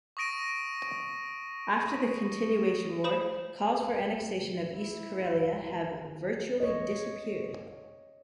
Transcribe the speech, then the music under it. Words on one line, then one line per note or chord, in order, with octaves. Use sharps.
After the Continuation War, calls for annexation of East Karelia have virtually disappeared.
C#6 D#6 A#6 D7 D#7
C5 B5 D#6 E7
E4
C#5 D#5